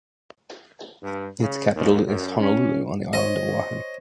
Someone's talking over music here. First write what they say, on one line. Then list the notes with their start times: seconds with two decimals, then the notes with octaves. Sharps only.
Its capital is Honolulu on the island of Oahu.
1.01 G2
1.38 C#3
1.74 D#2
2.05 F#2
2.39 C#4
3.13 C5 C#5 D#5